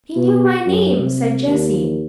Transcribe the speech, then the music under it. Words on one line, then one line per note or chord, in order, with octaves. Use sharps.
"He knew my name," said Jessie.
B2
F#2
C3
D#2